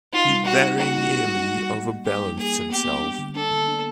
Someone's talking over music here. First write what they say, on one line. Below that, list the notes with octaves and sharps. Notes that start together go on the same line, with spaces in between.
He very nearly overbalanced himself.
D#4 F4
G3
G3 F#4
D#4
A#3 F#4
D#4
D#4
G3
D#4
G3
G3
G3
G3 G4
D#4
A#3 G#4
A#3
B3 G4
G3
D4
D3
D4 A4
D3
D4